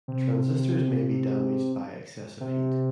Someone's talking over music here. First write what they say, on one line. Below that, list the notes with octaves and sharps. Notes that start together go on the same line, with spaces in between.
Transistors may be damaged by excessive heat.
C3
C3